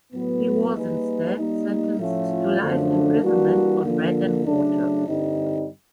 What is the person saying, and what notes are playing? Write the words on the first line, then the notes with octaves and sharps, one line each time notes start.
He was instead, sentenced to life imprisonment on bread and water.
A2 F#3 B3
G3 A#3 D#4 G#4 B4
G3 A#3 D#4
A2 F3 A3 C#4 F4
F#2 D3 F3 A3 D4
E3 G3 A#3 D4 F#4
D3 F3 A#3
C#3 F#3 A3 D4
G2 D3 G3 C4 D#4